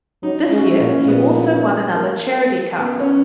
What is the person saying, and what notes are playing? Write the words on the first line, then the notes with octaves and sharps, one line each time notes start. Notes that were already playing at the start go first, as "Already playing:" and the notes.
This year he also won another Charity Cup.
F#3 D#4
C#4
G#3
F#4
E4
A#2
C#4
A#2 B3
A#3
B3
C#4